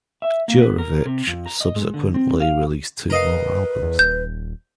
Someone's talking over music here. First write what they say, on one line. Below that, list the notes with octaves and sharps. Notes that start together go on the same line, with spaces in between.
Juravich subsequently released two more albums.
E5
A#3
B3
A#4
C3
F2
A#5
D#5
G#3
D3
C4
F5
A#4 B4 D#5 F5
E2
D#1 G6